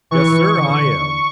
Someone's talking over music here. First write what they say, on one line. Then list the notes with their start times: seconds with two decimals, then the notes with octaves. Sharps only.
"Yes, sir, I am."
0.11 E3 C#6
0.56 D3